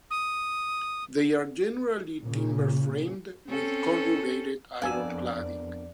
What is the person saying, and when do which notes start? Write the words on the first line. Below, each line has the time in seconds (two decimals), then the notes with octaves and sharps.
They are generally timber framed with corrugated iron cladding.
0.11 D#6
2.21 A#2 C#3
3.48 C4 C#4 A4
4.82 F2 B3 D4 A#4 D5 F5 G#5 E6